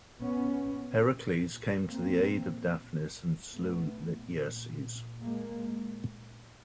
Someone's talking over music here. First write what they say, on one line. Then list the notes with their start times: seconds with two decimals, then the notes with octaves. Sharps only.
Heracles came to the aid of Daphnis and slew Lityerses.
0.20 A#2 B3 C#4
1.87 A#3 C4
3.54 A#2 A3 B3
5.21 G#3 A#3